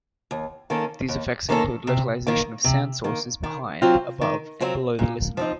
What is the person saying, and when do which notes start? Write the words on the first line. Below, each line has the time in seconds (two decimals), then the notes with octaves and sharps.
These effects include localization of sound sources behind, above and below the listener.
0.31 D#2
0.70 D#3 A#3 C#4 A4
1.08 D#2
1.49 D#3 A#3 C#4 A4
1.87 C3
2.27 D#3 A#3
2.64 C3
3.04 D#3 A#3
3.43 D#3
3.82 F#3 C4 F4
4.21 D#3
4.60 F#3 C4 F4
4.99 A#2
5.37 F3 C4 D#4